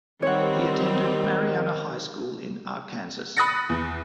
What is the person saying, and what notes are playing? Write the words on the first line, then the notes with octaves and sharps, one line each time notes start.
He attended Marianna High School in Arkansas.
D#3 G3 C4 C#5 F#5
B5 D#6 F#6 A6 A#6 C#7
E2